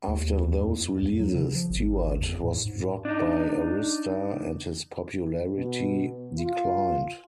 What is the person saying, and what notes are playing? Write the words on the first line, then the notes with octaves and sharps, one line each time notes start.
After those releases, Stewart was dropped by Arista and his popularity declined.
D#2
F2
E2
F#3
C#3
F3
G#1
E2
A2
G#2
D4 D#4
B2
F4